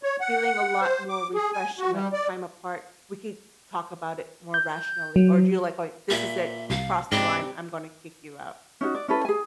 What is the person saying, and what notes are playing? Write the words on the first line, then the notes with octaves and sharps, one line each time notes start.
feeling a lot more refreshed in that time apart, we could talk about it more rationally." Or do you like going, "This is it. You've crossed the line. I'm gonna kick you out."
C#5
F#5
C5
D6
G#4
G#5
F#4
G3
D5
G6
F#3
A#2 E5 B5
C2 F5
G#2 C3 G3 D4 D#5
C#4 D#4 F4 F#4
D5
C#4 E4 A4 B4
G#4 G#5